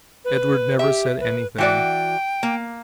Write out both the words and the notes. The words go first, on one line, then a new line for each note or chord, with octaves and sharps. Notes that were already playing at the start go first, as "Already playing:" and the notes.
Edward never said anything.
B4
G4 E5
B4
E3 F#4 D5 G5
A#3